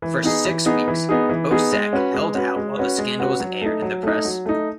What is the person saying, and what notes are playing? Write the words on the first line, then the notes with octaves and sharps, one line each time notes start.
For six weeks Boesak held out while the scandal was aired in the press.
E3
B3 D#4 G#4
E3
B3 D#4 G#4
E3
B3 D#4 G#4
E3
B3 D#4 G#4
G#3
C#4 F#4 B4
G#3
C#4 F#4 B4
G#3
C#4 F#4 B4
G#3
C#4 F#4 B4
F#3
A3 D#4
F#3
A3 D#4
F#3
A3 D#4